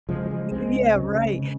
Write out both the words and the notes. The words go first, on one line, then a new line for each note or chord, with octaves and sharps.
yeah, right.
C#3 F3 G#3
F#3
F3 G#3
C#2 G#3 C4
C#3
C#3